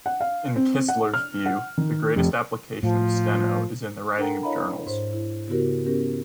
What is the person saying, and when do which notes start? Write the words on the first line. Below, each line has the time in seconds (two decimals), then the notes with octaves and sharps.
In Kistler's view, the greatest application of Steno is in the writing of journals.
0.06 F#5
0.21 F5
0.56 C4
0.88 F#5
1.14 F6
1.46 F#5
1.78 D#3
2.16 F1
2.83 A2 F3
4.17 D4 A4 A#4 F#5 G5 A#5
4.43 E4 C#5 D#5 F5 A#5 B5
4.87 G#2 C5
5.13 E4
5.48 C#3 B3 E4 F#4 G4 A#4
5.85 B3 C#4 G4 A#4